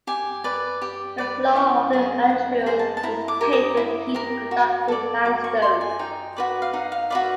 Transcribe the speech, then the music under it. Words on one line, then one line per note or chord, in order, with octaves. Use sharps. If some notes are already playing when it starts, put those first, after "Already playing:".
The floor of the atrium is paved with heat conductive limestone.
G4 G#5
B4 D5
G4
B4 D5
E4 G5
G#4 C5 D#5
E4 F#5
G#4 C5 D#5
A5
A5
E4 A#5
D6
G4 A#4
D#6
E4
G4 A#4
F#4
A4 D5
F#4 D6
C#6
A4 D5 C6
G#5
D#4 G5
F#4 B4 D5
F5
D#4 F#5
F5
F#4 B4 D5 E5